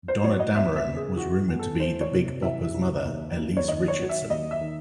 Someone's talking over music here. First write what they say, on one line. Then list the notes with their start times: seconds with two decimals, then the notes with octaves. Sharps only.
Donna Dameron was rumoured to be The Big Bopper's mother, Elsie Richardson.
0.08 C5
0.24 F#3 C#5
0.40 D#5
0.55 E2 E5
0.76 E5
0.87 C#3
0.97 G#4
1.17 E3 F#4
1.48 E2
1.59 A4
1.80 E3 C5
2.01 C#5
2.11 C3
2.42 E3 E5
2.74 C2
3.05 D#2
3.37 D#2
3.57 C#5
3.68 D#3 D#5
3.88 C#5
3.99 F#3
4.09 E5
4.30 D#2 D#5
4.51 E5
4.61 D#3